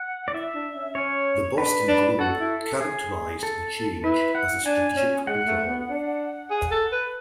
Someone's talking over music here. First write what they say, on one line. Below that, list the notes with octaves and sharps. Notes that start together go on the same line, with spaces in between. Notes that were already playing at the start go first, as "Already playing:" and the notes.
The Boston Globe characterized the change as a strategic overhaul.
Already playing: F#5
D5
E4 E5
D4
C#4
C#4 C#5
D4 B4
D4
F#4 A4
E4
G#4
A4
E4 B4
F#5
D4 G#5
C#4
G#3 F#5
A3
B3
D4
G#4
A4
B4